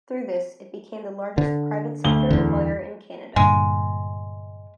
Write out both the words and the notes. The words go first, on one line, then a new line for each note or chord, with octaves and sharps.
Through this, it became the largest private sector employer in Canada.
D3
D2 G7
E2 D3
G2 A#2 D3 G#3